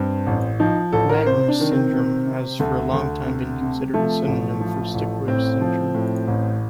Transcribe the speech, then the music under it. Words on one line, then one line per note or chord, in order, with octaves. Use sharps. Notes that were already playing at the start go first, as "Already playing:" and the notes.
Wagner's syndrome has for a long time been considered a synonym for Stickler's syndrome.
Already playing: G2 C4
A1
F3 D#4
A1 A4
A#4
C3 C5
D4
D#3
C4
C3
C3
D2 A3
D2
C3
C3
F3 A3
A1
F3
A1
A2 C4
F3
A2
A1